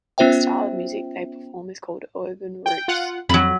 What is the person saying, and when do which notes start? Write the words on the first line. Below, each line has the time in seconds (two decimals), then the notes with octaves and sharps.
The style of music they perform is called urban roots.
0.18 B3 C#4 F4 C5 E5 G5
2.66 G5
2.88 F4 F#5
3.29 F2 F#3 B5